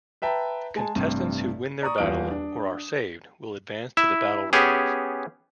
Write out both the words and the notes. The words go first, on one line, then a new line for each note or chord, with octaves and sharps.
Contestants who win their battle or are saved will advance to the Battle rounds.
B4 E5 G5 A5 A#5
G#3 G#5 A5
A1 G2 C3
D5 A#5 C#6 D#6
D#1 E2 F4 D7
D4
E4 E5
B3 C#4 G4 G#4